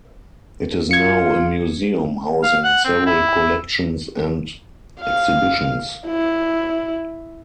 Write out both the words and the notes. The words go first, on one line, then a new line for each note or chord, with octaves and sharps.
It is now a museum housing several collections and exhibitions.
F4 G#6 C#7
F5
F#5
C4
E4
F5
E4